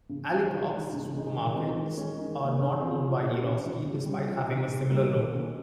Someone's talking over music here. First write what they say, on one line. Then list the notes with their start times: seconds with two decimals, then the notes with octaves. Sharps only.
"Aliprox" supermarkets are not owned by Eroski, despite having a similar logo.
0.09 C#3
0.30 G#3 D#4
0.51 D#3
0.72 G#3 D#4
0.93 C#3
1.14 G#3 D#4
1.34 D#3
1.55 G#3 C4 D#4
1.76 D#3
1.97 G#3 C#4
2.18 D#3
2.39 A#3 D#4
2.60 C#3
2.81 F3 C4
3.01 F3
3.22 A#3 C#4
3.43 C#3
3.64 F3 G#3 D#4
3.85 C#3
4.06 G3 C#4
4.27 F3
4.48 C4 D#4
4.68 C3
4.89 G3 A#3 D#4
5.10 D#3
5.31 A#3 C#4